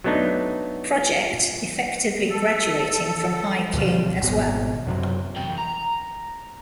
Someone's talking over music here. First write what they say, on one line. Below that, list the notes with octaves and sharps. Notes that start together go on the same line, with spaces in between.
Project, effectively graduating from High-King as well.
F#3 A3 B3 D4 D#4
A4
D2 B2 F3 G3
G#1 B2
F#2 C3 F#3
E3 G5
A#5